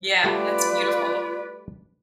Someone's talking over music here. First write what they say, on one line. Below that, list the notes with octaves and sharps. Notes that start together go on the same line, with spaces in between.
Yeah, that's beautiful.
G3 A3 F4 F#4 B4 D5